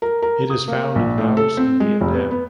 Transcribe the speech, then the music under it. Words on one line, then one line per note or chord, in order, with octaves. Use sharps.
It is found in Laos and Vietnam.
A#4
A#4
D#6
A#3
A#1
A2
A4
C4
G#3
F1
B3
B3